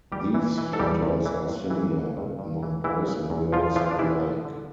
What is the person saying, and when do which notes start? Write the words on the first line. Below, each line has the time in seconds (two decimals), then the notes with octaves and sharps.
These factors are similar among boys and girls alike.
0.12 E2 G3 G4
0.34 E3
0.58 E3
0.73 A4
0.79 E2 G3 G4
1.03 E2
1.26 E3
1.49 G2
1.70 E3
1.93 E3
2.17 G2
2.39 G2
2.63 E3
2.84 E3 E4
3.07 C#3
3.30 E2
3.53 E2 F3 F4
3.76 E3 F3 F4
3.91 D4
3.98 C#3 E3 E4
4.21 F3
4.45 D3